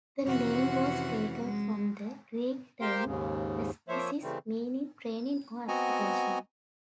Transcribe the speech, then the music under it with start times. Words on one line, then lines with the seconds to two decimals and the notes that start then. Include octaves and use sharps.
The name was taken from the Greek term "Askesis", meaning 'training' or 'application'.
0.24 F2 C3 E3 C#4 F#4 F#5
1.44 G#3
2.81 G4 A#4 C5 F5 G5 C6
3.05 D#2 G#2 C#3
3.88 F3 A#3 C5 C#5 E5
4.22 C#3 E3 G3 A3 C4
5.68 B3 C4 F#4 D#5 G#5 A#5